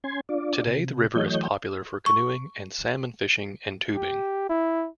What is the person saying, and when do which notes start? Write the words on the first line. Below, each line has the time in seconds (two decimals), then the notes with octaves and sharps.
Today, the river is popular for canoeing and salmon fishing, and tubing.
0.04 C#4 G#5 C6 G#6
0.29 D4 F4 D5
0.67 C3
1.15 E3 F#3 A3 C#5 D#5 G6
2.06 C#6
3.95 G4
4.49 E4